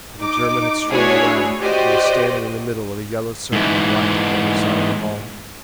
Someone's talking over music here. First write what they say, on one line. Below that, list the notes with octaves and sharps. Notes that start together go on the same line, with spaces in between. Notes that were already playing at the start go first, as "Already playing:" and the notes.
But the German had strolled away, and was standing in the middle of a yellow circle of light at the other side of the hall.
D#4 D6
A3 D4 E4 F#4 G#4 C#5
F#4 G4 C5 D5 D#5
G#2 E3